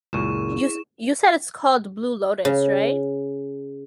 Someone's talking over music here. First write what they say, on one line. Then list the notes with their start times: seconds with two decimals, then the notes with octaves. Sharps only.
You s you said it's called Blue Lotus, right?
0.13 C#2 F#2 A#2 E4 G#4 C#6 E7
2.45 C#3